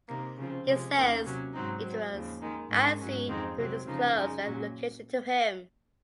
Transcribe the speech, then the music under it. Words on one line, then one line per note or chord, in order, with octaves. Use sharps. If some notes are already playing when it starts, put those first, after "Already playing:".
He says it was Aasi who disclosed their location to him.
C3 D#3 A#3
C#3 F3 C4
C3 F3 G#3
D#2 D#3 A#3 C#4
C3 F#3 C#4
G#2 F#3 C4 D#4
G#2 F#3 C4
D#2 C#3 F3
D#2 D#3 G#3 D#4
G#2 D#3 G#3 C#4
G#2 F#3 C#4
F2 D#3 G#3 C4 D#4
C3 F#3 C4
C#3 F3 A#3 D#4
F#2 C#3 G#3 D#4
A#2 F#3 C#4